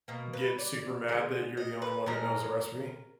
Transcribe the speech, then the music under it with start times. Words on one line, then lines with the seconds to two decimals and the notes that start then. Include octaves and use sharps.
get super mad that you're the only one that knows the recipe?
0.08 B2 A#3
0.33 B4
0.59 D5
1.08 D3 F3
1.12 G#3
1.57 D#5
1.82 B4
2.06 A#2 F3 G#3 A#4